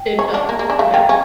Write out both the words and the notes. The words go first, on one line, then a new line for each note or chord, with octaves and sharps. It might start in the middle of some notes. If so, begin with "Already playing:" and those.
It does, yes.
Already playing: G5
C#5
D4
A#3
A#3
D4
A3 F5
A#3 G5
C#4